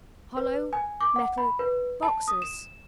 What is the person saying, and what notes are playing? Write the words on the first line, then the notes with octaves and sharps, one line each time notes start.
Hollow metal--boxes!
B4
G#5
D6
F#5
B5
B4
A5
D#6
E7